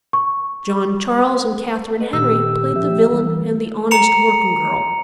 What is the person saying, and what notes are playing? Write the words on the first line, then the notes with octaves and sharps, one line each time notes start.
John Charles and Katharine Henry played the villain and the honest working girl.
C#6
B4 D#5 F#5
A#2 D#3 G4 E6
F3 G4 E5
E3 G3
A#5 C#7 F7